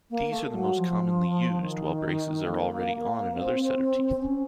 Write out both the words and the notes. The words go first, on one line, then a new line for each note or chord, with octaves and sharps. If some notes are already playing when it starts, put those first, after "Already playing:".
These are most commonly used while braces are already on another set of teeth.
A#3
A3
F#3
F3
D#3
A#3
C4
C#4